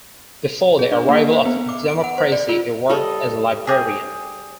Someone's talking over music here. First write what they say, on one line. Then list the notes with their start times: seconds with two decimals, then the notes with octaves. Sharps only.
Before the arrival of democracy he worked as a librarian.
0.79 G#4
0.92 D4
1.09 A#3
1.33 C5
1.45 B3
1.57 B3
1.69 D6
1.88 D7
2.04 F#5
2.18 C5
2.32 D5
2.49 F4
2.89 G3 A4 D#5
3.67 G4 G#4